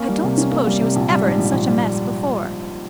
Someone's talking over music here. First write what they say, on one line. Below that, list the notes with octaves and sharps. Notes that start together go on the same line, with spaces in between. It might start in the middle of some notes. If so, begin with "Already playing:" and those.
I don't suppose she was ever in such a mess before.
Already playing: A#3 C#4
G3
C3
C#4
A#3
G3
C3
A#1
G3
G#2
A#1
A#1
G3